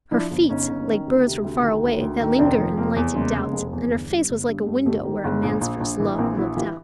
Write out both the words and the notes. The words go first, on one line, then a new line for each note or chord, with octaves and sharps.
Her feet like birds from far away That linger and light in doubt; And her face was like a window Where a man's first love looked out.
F3 D4 E4
G1
G1 C#4 D#4
G1
D#3
D2
C3
D2
D#3
D2
D2
D#3
F1 C4 D4
F3
F1 A#3 C4
E2
C#3 G#3 A#3
F1
F1
E2
G1
G2
G1
G2
G2 G3 A3
G1 G3 A3
D#3 G3
G1 G#3
A#1
A#1
A#1
E3
A#1 A#3 C4
E3 E4 F#4
E3 F4 G4